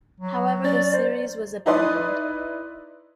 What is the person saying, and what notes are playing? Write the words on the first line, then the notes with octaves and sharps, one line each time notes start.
However, the series was abandoned.
F#3
C#4 D5 A6
C5
D#4 E4 B4 D5 C6 D#6